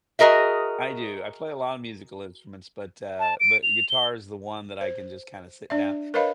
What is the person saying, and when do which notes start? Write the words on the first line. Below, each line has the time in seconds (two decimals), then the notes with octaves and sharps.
I do, I play a lot of musical instruments, but, uh but guitar is the one that I can just kinda sit down
0.19 F#4 G#4 A#4 D#5 E5
3.20 A5
3.40 D7
3.63 F7
3.89 G7
4.81 C5
5.70 D4 D5 E5
6.14 A#4 B4 C#5 D#5 F5 B5